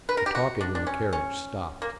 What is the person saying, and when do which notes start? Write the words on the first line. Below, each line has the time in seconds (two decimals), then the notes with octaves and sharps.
The talking in the carriage stopped.
0.09 B4
0.17 A#4
0.26 G4
0.35 F#4
0.61 D4
0.75 D4
0.87 C#4
1.13 C#4
1.82 A#3